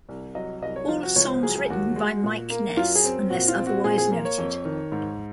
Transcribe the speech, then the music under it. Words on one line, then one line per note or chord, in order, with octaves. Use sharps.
All songs written by Mike Ness unless otherwise noted.
C2
F#3 D#5
C2 D#5
C#5
F3 F4
F#4
C#2 C#5
C5
F#3 G#4
G#4
D#2 F#4
G#3
A#2
A#3
F#2 F4
G#4
C4
A#2 F#4
F4
C4
F#4
A#2 G#4
G#4
A#3
C#5
F2
D#3
G#2